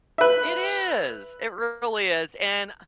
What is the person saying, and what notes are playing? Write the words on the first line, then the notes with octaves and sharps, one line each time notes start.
It is, it really is, and
B4 E5